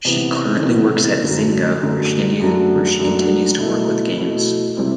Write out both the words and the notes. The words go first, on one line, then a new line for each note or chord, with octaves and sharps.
She currently works at Zynga, where she continues to work with games.
C3 E3 B3
C3 E3 B3
F#2 D3 A3
F#2 D3 A3
F#2 F#3 A3 D4
F#2 F#3 A3 D4
B2 A3 E4
B2 A3 E4
C3 G3 C4 E4